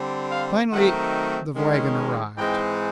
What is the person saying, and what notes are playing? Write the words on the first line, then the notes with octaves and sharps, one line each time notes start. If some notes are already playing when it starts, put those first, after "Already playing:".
Finally the wagon arrived.
Already playing: D3 G3 C4
F5
D#3 F#3 A3 C4 D#4 F#5
D#3 G#3 C#4
G#2 E3 G#3 C4 D#4 G5